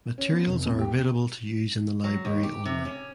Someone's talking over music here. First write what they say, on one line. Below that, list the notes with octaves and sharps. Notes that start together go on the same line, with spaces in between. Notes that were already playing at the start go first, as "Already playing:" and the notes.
Materials are available to use in the library only.
C#4
B3
F1
E2
G4
F#3
D#2
G4
C3
C#4